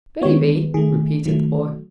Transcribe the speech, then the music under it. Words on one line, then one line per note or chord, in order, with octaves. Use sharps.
"Baby!" repeated the boy.
D#3 G#3 B3 C#5
D#3 A3 G#4
D#3 F#3 A3